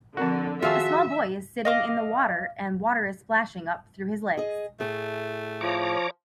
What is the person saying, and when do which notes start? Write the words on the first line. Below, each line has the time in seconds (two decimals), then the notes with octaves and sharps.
A small boy is sitting in the water and water is splashing up through his legs.
0.17 D3 F3 C4 F#4 A#4 A5
0.62 D#3 F4 F#4 G#4 E5 F5 A5 C#6
1.65 D#5 F5 D6
4.37 G#4 D#5
4.80 A2 A3 G#4
5.61 F3 C#5 A#5 D6